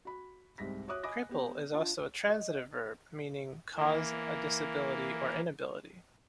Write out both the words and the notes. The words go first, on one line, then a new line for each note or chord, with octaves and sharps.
Cripple is also a transitive verb, meaning "cause a disability or inability".
F#4 B5
C2 G#2 G3 A#6 B6
F#4 C#5 E5 D6 D#6 F#6
D#5 G#5 B5 D6 D#6 A#6
B3 G4
D4 F4
D#5
E3 A#3